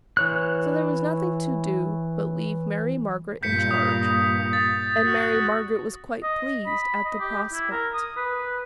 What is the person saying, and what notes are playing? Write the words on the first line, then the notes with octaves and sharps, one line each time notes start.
So there was nothing to do but leave Mary Margaret in charge, and Mary Margaret was quite pleased at the prospect.
E3 C#5 F#6
G2 A#2 G6 B6 C#7
D#6
A6
F#4
D#5
B5
D#5
G4
E4
A#4
D#6
B4